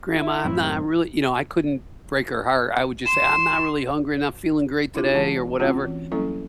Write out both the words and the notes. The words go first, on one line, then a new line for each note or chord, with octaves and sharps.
"Grandma, I'm not really" you know, I couldn't break her heart. I would, just, say, "I'm not really hungry, I'm not feeling great today or whatever."
E4
F#2 A2 C4
C6 E7
D4 E4 F4 G4
E3 G#3 A5
A3 C4 C#4 F4 F#4
E3
F#3 G3 A#3 C#4 E4 A4